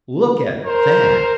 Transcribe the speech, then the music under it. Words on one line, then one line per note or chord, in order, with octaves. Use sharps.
"Look at that!"
A#4 C5